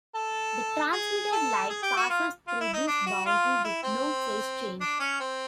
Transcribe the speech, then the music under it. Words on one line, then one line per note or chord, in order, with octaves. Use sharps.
The transmitted light passes through this boundary with no phase change.
A4
G#4
A4
G#4
G4
F#4
F4
F4
E4
D#4
D4
F#4
F4
E4
C4
D4
C#4
C4